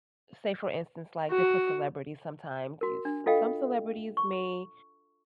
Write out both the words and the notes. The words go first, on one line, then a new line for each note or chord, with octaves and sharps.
say, for instance, like, different celebrities sometimes, you s some celebrities may
F#4
F#4 A#4
D4
F4 A4 D#5 F5 G5
C#6